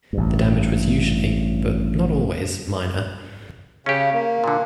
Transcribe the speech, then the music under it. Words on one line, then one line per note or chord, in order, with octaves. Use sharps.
The damage was usually, but not always, minor.
A1 G2
C#3 C#4 G4
A#3
A#2 D3